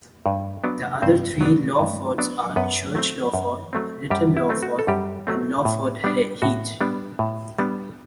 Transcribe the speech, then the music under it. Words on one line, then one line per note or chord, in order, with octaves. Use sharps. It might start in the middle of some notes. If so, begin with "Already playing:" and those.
The other three Lawfords are Church Lawford, Little Lawford and Lawford Heath.
G2
F#3 B3 D4
G2 C4 C5
F#3 B3 D4
G2
F#3 B3 D4
F#2 B3 B4
F#3 A3 C4
F#2
F#3 A3 C4
F#2 G3 G4
E4
F#3 A3 C4
F#4
A4
F#2 G3 G4
F#3 A3 C4
A2
G3 B3 D4
A2 F#4
G3 B3 D4
A2
G3 B3 D4